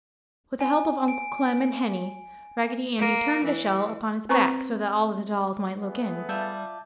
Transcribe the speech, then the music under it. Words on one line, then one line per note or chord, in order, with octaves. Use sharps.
With the help of Uncle Clem and Henny, Raggedy Andy turned the shell upon its back, so that all the dolls might look in.
G#5
D7
A#3
E3
C4 B4 C5 A#5 C#6
A3 B3 G#4
G3 F4 D5 E5 A5 G6